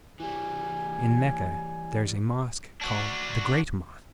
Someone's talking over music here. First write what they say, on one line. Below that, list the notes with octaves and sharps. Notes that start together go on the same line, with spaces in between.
In Mecca there is a mosque called the Great Mosque.
E3 G3 G#5
D4 F#4